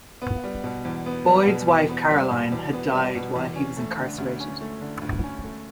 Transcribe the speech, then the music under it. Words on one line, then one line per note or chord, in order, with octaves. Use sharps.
Boyd's wife Caroline had died while he was incarcerated.
B3
G3
B2
E2
B3
G3
B2
E2
B3
G3
B2
E2
B3
G3
B2
E2
C#4
A3
D3
D2
C#4
A3
D3
D2
C#4
A3